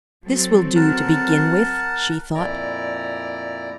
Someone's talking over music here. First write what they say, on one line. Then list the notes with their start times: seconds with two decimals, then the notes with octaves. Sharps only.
"This will do to begin with," she thought.
0.24 F#3 C4 A4
0.76 A#4 F#5 A5
2.35 F2 A#2 E4 D5 A#5